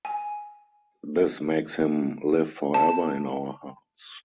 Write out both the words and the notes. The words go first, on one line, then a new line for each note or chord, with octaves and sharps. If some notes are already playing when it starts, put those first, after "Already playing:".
This makes him live forever in our hearts.
G#5
A5